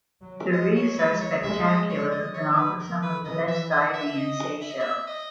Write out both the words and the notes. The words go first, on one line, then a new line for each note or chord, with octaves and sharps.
The reefs are spectacular and offer some of the best diving in Seychelles.
F#3
G#3 D#5
C#5
C#5
G#3 B4
C#5
G#3 E5
D#5
C#5
D#5
C#5
A#4
B4
A#4
B4
E3 D#5
E5
D#5
E5
E5
D#5
E5
D#5
E5
D#5